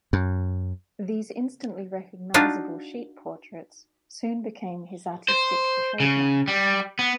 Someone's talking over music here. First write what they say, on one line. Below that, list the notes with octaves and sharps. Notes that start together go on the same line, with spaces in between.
These instantly-recognizable sheep portraits soon became his artistic "trademark".
F#2
D4 D#4 F4 F#4
C5
C#3
G3
B3